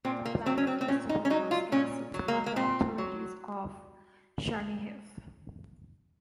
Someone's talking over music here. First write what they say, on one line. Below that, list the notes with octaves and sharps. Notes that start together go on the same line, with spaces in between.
The planned festival was canceled by the authorities of Chernihiv.
A#2 C4
A#3
F#3 C4
C#4
C4
C4
A#2 C#4
D#4
C#4
F#3 D#4
F4
A#2 C#4
F#3
A#3
A#3
A#2 C4
F#3